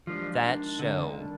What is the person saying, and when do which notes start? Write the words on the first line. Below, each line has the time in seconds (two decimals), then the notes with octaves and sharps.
That show,
0.07 A#2 F3 G#3 D4 G4
0.43 D#3 G#3 D4
0.79 A#2 D3 G#3 C4 D#4
1.16 D#3 G3 D4